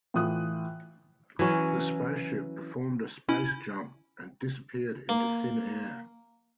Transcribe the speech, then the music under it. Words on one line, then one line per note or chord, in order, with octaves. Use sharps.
The space ship performed a space-jump and disappeared into thin air.
A2 E3 F4 D#6 F#6
E3 F#3 C#4
C#4 E4
A#3